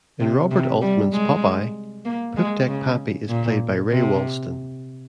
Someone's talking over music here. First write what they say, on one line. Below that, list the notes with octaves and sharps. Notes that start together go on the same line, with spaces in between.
In Robert Altman's "Popeye", Poopdeck Pappy is played by Ray Walston.
C3
C3
G3
G#3
A#3
G#3
C#3
A#2
C3